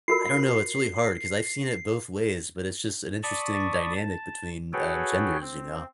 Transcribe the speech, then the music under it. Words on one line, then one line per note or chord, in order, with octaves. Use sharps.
I don't know, it's really hard 'cause I've seen it both ways, but it's just an interesting dynamic between, um, genders, you know?
F4 F#4 A#4 C7
D5 A5 B5 C#6 D#6
A5
F#4 G#4 A4 B4 C#5 G5
C4